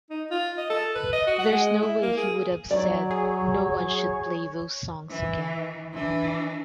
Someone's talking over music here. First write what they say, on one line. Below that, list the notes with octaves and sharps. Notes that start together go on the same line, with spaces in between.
There's no way he would have said 'No-one should play those songs again.
D#4
F4
D#5
A4
B4
D#5
F#4
F#5
G#3
E4
A#3
G#4
F#3 C#5 D5
G#4
E3
E3 D4